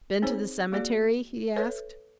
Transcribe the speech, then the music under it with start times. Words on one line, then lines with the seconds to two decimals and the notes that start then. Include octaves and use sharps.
"Been to the cemetery?" he asked.
0.22 C4 D#4 G#4 C5 C#5
0.72 A#3 F#4 G#4 D5
1.56 A4 B4 C#5 E5